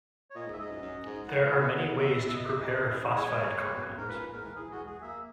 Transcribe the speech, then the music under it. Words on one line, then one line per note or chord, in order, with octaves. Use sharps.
There are many ways to prepare phosphide compounds.
C#5
A#2 D#5
G#2
E5
G#2 D#5
F#2
F#2
G#2
G#2 F#5
A#2 E5
F#5
B2 E5
B2 F#5
E5
E5
D#5
E5
D#5
C#3
E3
G#3 C#5
A#3
G#3
B2
F#2
G#2 A#4
A#2 B4
A#2
G#2 A#4
E3
E3 G#4
G#3 F#4
G#4
A#3 E5